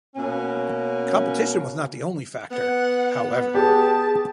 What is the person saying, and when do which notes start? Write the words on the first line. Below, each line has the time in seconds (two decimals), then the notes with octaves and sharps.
Competition was not the only factor, however.
0.16 B2 A#3 C#4
2.51 B3 F#5
3.55 G4 G#4 A5